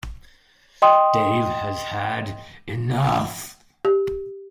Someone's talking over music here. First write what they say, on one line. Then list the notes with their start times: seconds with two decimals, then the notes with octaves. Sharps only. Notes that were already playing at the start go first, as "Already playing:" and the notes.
Dave has had enough.
0.82 D#5 G5 C6 D#6
3.85 G4